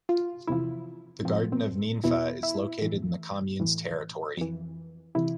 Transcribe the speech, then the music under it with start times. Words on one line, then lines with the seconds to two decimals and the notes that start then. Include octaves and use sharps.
The Garden of Ninfa is located in the commune's territory.
0.09 F4
0.47 E2 C3 F3 E4
1.25 A2 F3 C4
1.52 C4
2.04 E2 B2 E4
2.43 E4
2.82 A2 E3
3.59 A2 E3
4.37 F2 E3
5.15 C3 E3 E4